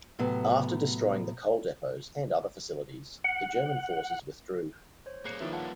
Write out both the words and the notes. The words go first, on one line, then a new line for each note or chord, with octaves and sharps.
After destroying the coal depots and other facilities, the German forces withdrew.
A2 C3 F#3 B3
F#5
C5 C#5
G3 A#3 G#4 C#5 F#6 C7 C#7
D#3 F3 E4 B4
F4 F5 F#5 A5